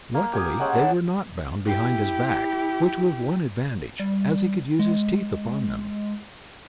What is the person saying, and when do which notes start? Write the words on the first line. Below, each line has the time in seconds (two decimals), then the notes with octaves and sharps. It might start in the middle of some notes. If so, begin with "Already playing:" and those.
Luckily they were not bound behind his back, which was one advantage, as he could use his teeth upon them.
0.14 A#3
0.33 G4 G#5 D#6
0.60 G#3 C#4 F#5 G5
0.74 A5 D6
1.65 E4 G4
3.99 G3
4.79 G#3